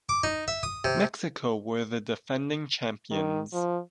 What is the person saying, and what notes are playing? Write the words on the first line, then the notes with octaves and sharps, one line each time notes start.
Mexico were the defending champions.
D6
D#4
E5
D#6
C3
D#3
F3